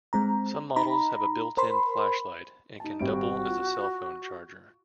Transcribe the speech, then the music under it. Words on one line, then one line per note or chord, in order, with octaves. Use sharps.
Some models have a built-in flashlight and can double as a cellphone charger.
G#3 C4 A#5
D#4 A#5 B5
A#4 C5 B5 C6
D#4 A5
G#1 G3 F#4 D7
F4